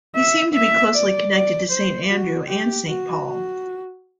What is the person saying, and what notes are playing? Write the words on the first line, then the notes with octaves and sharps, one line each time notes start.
He seemed to be closely connected to Saint Andrew and Saint Paul.
E5
E5
D5
D5
C5
F#4
G4
F#4
F#4